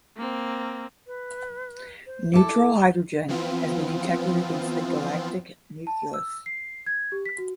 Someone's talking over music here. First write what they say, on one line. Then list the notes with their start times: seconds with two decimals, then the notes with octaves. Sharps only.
Neutral hydrogen has been detected against the galactic nucleus.
0.17 A#3 C4
1.07 B4
2.07 C5
2.33 E4 A4 D6
3.28 E3 F3 B3 C4 F4
5.87 A5
6.14 E6
6.46 C7
6.86 G#6
7.12 G4
7.26 B6
7.38 F#4